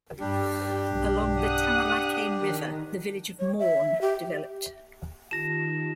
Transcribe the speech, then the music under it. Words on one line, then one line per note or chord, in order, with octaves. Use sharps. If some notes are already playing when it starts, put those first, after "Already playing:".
Along the Thamalakane River the village of Maun developed.
G2 G3 D4 G4
B1 G2
F#5 D#6 F#6
D#3
C#5
E5
G4
D#3 F4 G4 A5 A#6 E7